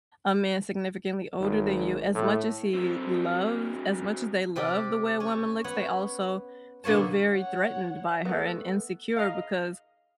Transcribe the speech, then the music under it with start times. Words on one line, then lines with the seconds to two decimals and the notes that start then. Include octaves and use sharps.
a man significantly older than you, as much as he loves as much as they love the way a woman looks, they also feel very threatened by her and insecure because
1.40 G#1
2.14 A2
2.74 F#3 C4
4.56 C3 G4 D5
5.20 C#4
5.64 B3 C#5 F#5
6.84 B2 D3 A#3 C#5 A5
7.31 C#5 F#5
8.25 A3 B3
9.17 D#5 F5